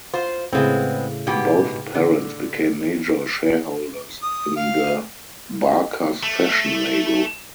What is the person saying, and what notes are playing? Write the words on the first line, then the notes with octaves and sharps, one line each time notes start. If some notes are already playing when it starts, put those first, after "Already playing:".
Both parents became major shareholders in the Barkers fashion label.
F4 C5
A2 C#3 G#3 B3 C4
G#2 B2 G4
D3
D#6
F5
A3